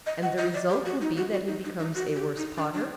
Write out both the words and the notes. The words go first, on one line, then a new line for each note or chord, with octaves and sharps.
And the result will be that he becomes a worse potter?
D#5
F#5
D#5
D5
G4
F#4
D#4
F#4
F#4
D#4
D#4
D#4
F#4
G4
D#4
D4
D4